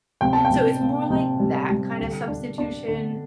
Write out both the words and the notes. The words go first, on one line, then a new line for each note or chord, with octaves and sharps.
So, it's more like that kind of substitution
C3 G5
A5
G5
C3
A#3
C3
G3
G3
D3
D4
D4
D3